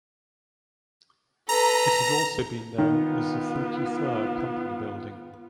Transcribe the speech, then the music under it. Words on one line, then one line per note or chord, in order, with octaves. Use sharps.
It has also been known as the Fouke Fur Company Building.
A4 B4 A#5
D#3 B3 F4